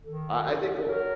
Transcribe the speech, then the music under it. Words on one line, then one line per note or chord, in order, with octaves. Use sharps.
I I think, onc
D#3 A4
F#2
F#3 A#4